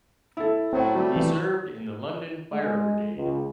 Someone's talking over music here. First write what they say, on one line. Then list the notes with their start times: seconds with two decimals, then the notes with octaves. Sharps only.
He served in the London Fire Brigade.
0.37 E4 A4
0.73 A2 F#3 C4
0.95 F#3 G3 A3
1.16 E3
2.54 G#3
3.17 C#2